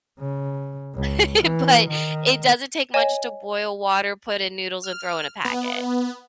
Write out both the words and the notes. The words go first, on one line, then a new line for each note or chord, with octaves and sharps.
but but it doesn't take much to boil water, put in noodles, and throw in a packet,
C#3
C#2
E3
D#3
C#5 D#5 G#5 E7
F6
B3